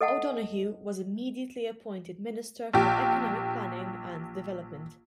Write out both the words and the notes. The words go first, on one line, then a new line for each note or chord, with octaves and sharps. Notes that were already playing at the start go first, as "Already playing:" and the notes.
O'Donoghue was immediately appointed Minister for Economic Planning and Development.
A4 D#5 F#5 A5
A#1 G4